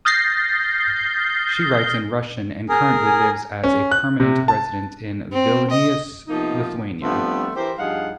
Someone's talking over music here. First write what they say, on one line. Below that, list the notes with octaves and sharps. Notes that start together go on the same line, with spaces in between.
She writes in Russian and currently lives as a permanent resident in Vilnius, Lithuania.
D#6 F6 G6 A6 A#6 C7
G#4 A#4 G#5
C#4
F#6
C3
A5
C4
D#5
C3 F3 A#3 B3 D#4
F3 G3 A3 B3 C4 D4
E3 E4 G4 A#4 C5
G2 F3 D#4 G#4 F5 F#5